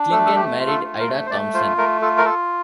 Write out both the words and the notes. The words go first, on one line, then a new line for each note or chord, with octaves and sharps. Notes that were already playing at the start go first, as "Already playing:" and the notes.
Clingan married Ida Thompson.
Already playing: D4
A3 A4
A4
A3 G4
F4
A4
A3
A#4
A3
C5
A3 D5
F4 C5
A3 A#4
F4 A4
A#4
F4 A4